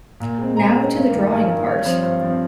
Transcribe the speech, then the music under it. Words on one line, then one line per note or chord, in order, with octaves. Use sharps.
Now to the drawing part.
A#2
G#3 C4
A#2 A#5
G#3 C4
G2
D#3 A#3
G2 G#5
D#3 A#3 G#5
G2 C#5
F3 C4 C5
G2 C5
F3 C4